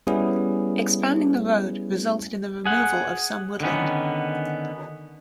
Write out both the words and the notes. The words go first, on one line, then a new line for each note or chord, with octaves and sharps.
Expanding the road resulted in the removal of some woodland.
G3 B3 C#4 E4 G#4
G#4 F#5
D3 D#3 B3 C#4